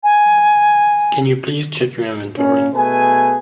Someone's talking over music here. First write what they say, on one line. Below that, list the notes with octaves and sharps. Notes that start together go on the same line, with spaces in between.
Can you please check your inventory.
G#5
A#2 C#4
B2 A3 G#4 B4 G#5